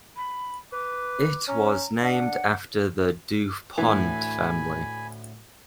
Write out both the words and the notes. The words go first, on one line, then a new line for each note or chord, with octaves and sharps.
It was named after the Du Pont family.
B5
B4 D6
C#4 A#5
D4 F#5
D2 A2 E3 G#5 B5